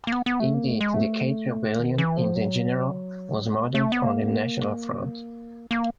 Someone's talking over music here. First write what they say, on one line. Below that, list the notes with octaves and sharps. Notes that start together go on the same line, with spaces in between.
Indeed, the Cade rebellion in general was modelled on the National Front.
A#3
B3
B3
A3
A#3
A3
G#3
A3
D#3
E3
F3
F#3
G#3
A3
B3
A#3
A#3